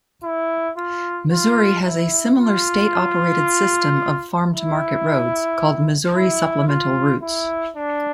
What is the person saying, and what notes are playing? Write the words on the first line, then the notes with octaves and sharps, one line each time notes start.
Missouri has a similar state-operated system of farm-to-market roads, called Missouri supplemental routes.
E4
F4
F4
E4
F4
E4
E4
F4
E4
D4